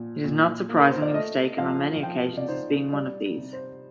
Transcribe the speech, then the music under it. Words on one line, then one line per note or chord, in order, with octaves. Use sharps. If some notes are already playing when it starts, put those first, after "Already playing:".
It is not surprisingly mistaken on many occasions as being one of these.
Already playing: A#2 F3
A#2
A#3
A#4
C5
D5
A3 D#5
F3 F5
F3 G5
D5
D#4 C5
G3 D5
C3
C5